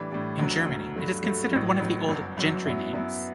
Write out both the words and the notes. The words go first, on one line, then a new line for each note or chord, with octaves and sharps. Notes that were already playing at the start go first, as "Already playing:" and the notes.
In Germany it is considered one of the old "gentry names".
Already playing: A2 E3 G3 D4
A2 E3 G3 D4
E1 D2 D3 F#3
E1 D2 D3 F#3
G2 F#3 A3
G2 F#3 A3
A1 A2 F#3
A1 A2 F#3
G1 F#2 F#3
G1 F#2 F#3
F#2 F#3 B3 E4
F#2 F#3 B3 E4